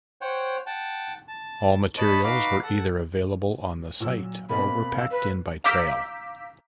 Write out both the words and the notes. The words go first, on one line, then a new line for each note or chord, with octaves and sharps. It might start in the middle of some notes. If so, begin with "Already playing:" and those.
All materials were either available on the site or were packed in by trail.
C5 C#5 F#5 G5
F#5 G5 A5
A5
B4 C#5 D#5 A5 B5
D#4 F#4 B4 F5 D6
A4 F#5
A#2 F#3 E6
B2 A#3 C4 B5
F5 E6
B4
F5 A#5 D6 E6 G6 B6